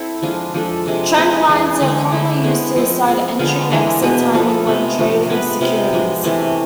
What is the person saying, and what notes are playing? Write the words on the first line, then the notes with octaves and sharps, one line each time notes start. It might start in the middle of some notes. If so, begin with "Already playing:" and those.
Trend lines are commonly used to decide entry and exit timing when trading securities.
Already playing: C4 E4 A4
F3 G#3 D4 F4
F3 G#3 D4 A4
C3 G#3 D4
G#3 C4 G#4 B4
E3 G#3 D4 G#4
D3 G#3 D4
D3 A3 E4
G#3 B3 D4 G#4
F3 G#3 C4
F3 G#3 C4
D3 G#3 B3 F4
E3 G#3 D4
B2 B3 D4 G#4
F3 B3 F4 A4
C3 G#3 B3
C3 F3 A3 D4
G#3 B3 F4 B4
C3 G#3 B3 F4
F3 G#3 D4
C3 E3 A3